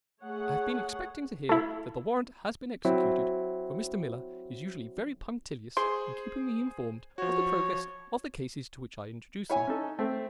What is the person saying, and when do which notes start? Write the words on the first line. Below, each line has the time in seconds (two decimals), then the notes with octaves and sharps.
I have been expecting to hear that the warrant has been executed, for Mr. Miller is usually very punctilious in keeping me informed of the progress of the cases to which I introduce him.
0.23 A3 G#4 C#5 F#5
1.49 A3 E4
2.85 F#3 C4 E4
5.77 G#4 C5 C6
7.18 F3 F#4 C#5
9.50 E4 C#5 G#5
9.67 C#4 D#4 A4
9.99 A3 C4